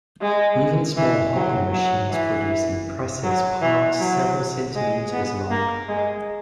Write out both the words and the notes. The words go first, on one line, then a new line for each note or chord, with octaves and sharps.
Even small hobby machines produce impressive sparks several centimeters long.
G#3
E3
F#3
F#3
E3
F#3
E3
F#3
G#3
B3
A#3
G#3